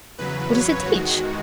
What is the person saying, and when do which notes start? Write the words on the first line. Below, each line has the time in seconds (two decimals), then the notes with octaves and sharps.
What does it teach?
0.18 E2 C#3 F#3 B4
0.53 C#5
0.86 E2 D#3 G#3 F#4